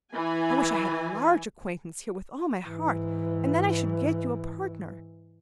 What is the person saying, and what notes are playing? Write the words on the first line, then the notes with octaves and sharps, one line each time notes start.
I wish I had a large acquaintance here with all my heart, and then I should get you a partner.
E3 G#5
G#2 E3